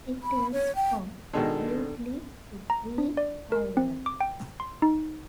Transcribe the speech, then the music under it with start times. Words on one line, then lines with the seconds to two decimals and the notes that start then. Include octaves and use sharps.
It runs from Bewdley to Great Malvern.
0.23 B5
0.52 C#5
0.76 G5
1.34 B2 D#3 G#3 D4 A4
2.70 A#5
2.98 D4
3.17 D5
3.52 A#4
3.77 C4
4.06 D6
4.21 G5
4.60 C6
4.82 D#4